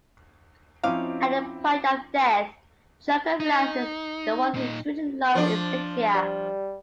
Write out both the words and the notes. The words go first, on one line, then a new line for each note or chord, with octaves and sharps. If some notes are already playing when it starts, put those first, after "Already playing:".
At the point of death, Joker realises the one he truly loves is Zixia.
F3 C4 C#4 D#4 E4 F5 D6
D#4
A#2 D#4
F3 D4
G3